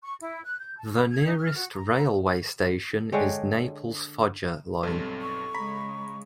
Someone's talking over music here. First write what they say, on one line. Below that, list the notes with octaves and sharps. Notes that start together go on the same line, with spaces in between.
The nearest railway station is Naples-Foggia line.
C#6
E4
F#6
G6
A5
B4
G#6
D#4
F6
F#4
A#5
D3 G#3 C#5 G5
B1 G2 G3 C4 A4
C#6
C#3 G#3 A#5 B5 B6